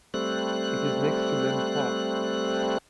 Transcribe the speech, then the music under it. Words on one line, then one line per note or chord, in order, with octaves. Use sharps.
It is next to Linn Park.
G3 A3 C4 F#6